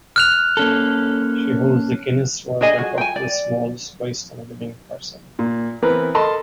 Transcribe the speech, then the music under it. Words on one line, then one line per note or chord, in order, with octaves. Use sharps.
She holds the Guinness World Record for the smallest waist on a living person.
F6 F#6 F7
A#3 C#4 A4
D4 G#4 D#5 G#5
F#4 G#4
G5 G#5
D5
A#2
E3 B3 C4 A#4 B4
A4 A#4 D#5 A5 B5 C6